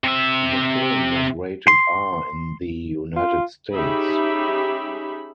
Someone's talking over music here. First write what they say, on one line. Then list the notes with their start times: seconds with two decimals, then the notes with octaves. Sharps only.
The film was rated R in the United States.
0.04 C3 E5
1.68 C6
3.16 F4
3.75 C#4 D#4 G4 G#4 E5 B5